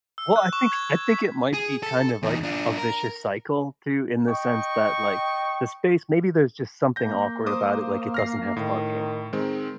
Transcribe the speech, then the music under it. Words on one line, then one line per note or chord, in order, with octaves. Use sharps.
Well, I think I think it might be kind of, like, a vicious cycle too, in the sense that, like, the space maybe there's just something awkward about it, like it doesn't have parking.
E6
F#6
C#6
G#6
B6
G#4
A4
E2 D#4
D4 F4
A#4
D#5 G5 C#6
A#3 G6 A#6
C5 D6 D#6
F6 A#6 C7
A2 D#3
D#3 G#3 C4